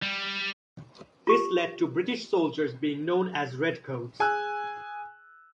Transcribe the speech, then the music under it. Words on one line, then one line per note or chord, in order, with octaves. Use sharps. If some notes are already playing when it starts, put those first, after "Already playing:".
This led to British soldiers being known as red coats.
G3
F4 G4
G#4 G#5 E6 F#6